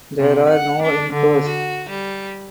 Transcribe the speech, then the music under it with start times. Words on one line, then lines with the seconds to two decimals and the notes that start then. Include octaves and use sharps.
There are no inflows.
0.19 C3
0.49 F#5
0.82 D4
1.13 D3
1.47 F#4
1.90 G3